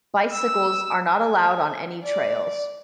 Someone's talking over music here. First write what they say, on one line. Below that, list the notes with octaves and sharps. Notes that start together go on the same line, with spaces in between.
Bicycles are not allowed on any trails.
E6
G#5
D5